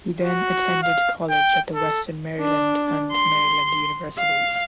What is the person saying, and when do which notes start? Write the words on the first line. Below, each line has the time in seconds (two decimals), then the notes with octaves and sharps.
He then attended college at the Western Maryland and Maryland universities.
0.22 F#4
0.83 F5
1.30 G5
1.75 A4
2.40 D4
3.12 C6
4.18 F5